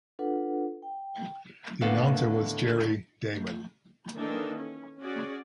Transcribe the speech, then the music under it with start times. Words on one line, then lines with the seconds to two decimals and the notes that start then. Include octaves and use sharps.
The announcer was Jerry Damon.
0.19 D4 F4 A4 B4 F#5
0.82 G5
1.81 D#2 A2 D3 B3 A4 F5
4.15 D#3 E3 A#3 D4 D#4 A4
4.57 C#4
5.01 C#4 F#4 G#4 D5